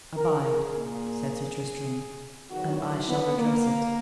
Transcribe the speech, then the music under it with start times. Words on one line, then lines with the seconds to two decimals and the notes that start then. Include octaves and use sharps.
Abide, said Sir Tristram, and I shall redress it.
0.15 A#4
0.44 G#4
0.73 A#2 A#3
2.49 E2 D#3 F#3 F#4
2.78 E4
3.07 B3
3.37 A#3